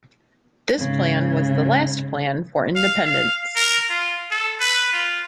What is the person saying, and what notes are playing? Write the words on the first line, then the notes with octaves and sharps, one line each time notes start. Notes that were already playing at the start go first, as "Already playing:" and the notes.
This plan was the last plan for independence.
G#2 C#3
F5
F5
A#4
F4
A4
B4
F4